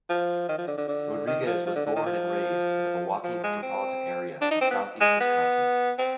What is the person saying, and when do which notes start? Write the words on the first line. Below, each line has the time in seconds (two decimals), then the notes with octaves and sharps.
Rodriguez was born and raised in the Milwaukee metropolitan area in southeast Wisconsin.
0.09 F3
0.48 D#3
0.58 F3
0.67 D3
0.77 D3
0.88 D3
1.27 D#3
1.46 F3
1.66 F3
1.75 D3
1.86 D3
1.95 D#3
2.06 F3
3.24 F3
3.43 G#3
3.62 C4
4.41 D4
4.51 D#4
4.61 C4
4.71 B3
5.01 G#3
5.20 B3
5.98 C4